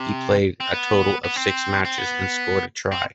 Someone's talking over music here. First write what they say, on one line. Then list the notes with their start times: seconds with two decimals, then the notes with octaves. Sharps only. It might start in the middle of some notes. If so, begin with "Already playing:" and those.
He played a total of six matches and scored a try.
Already playing: C3
0.60 C4
0.73 B3
1.24 B3
1.36 C4
1.85 C4
1.98 B3
2.92 C4